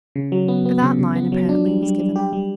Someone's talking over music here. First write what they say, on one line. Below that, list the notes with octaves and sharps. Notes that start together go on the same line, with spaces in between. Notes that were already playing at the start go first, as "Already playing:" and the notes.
That line apparently was given up.
C#3
F#3
B3
B3
C#3
C#3
B3
F#3
D4
G3
G3
G3
G4
G3